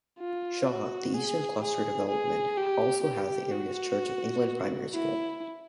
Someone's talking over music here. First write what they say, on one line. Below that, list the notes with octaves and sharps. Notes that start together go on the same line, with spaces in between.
Shaw, the eastern clustered development also has the area's Church of England primary school.
F4
F#4
G#4
G#4
G#4
G4
G4
F#4
E4